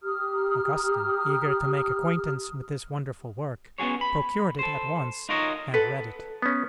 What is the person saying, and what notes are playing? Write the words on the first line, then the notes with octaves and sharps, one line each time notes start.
Augustine, eager to make acquaintance with this wonderful work, procured it at once and read it.
G4 A#5 D#6 F6
B3 C#4 F#4 G#4 C#5
B5
A4 C5
D#4 F4 F#4 A#4 C#5 D#5
A4 B4 F#5
B3 C#4